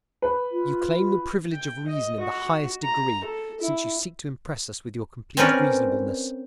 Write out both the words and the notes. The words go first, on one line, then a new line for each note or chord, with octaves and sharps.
You claim the privilege of reason in the highest degree, since you seek to impress us with your complete reasonableness.
B4
F4
G5
D#5
F#4
A#5
A4
E4
C4 C#4 A#4 B4 C#5 D5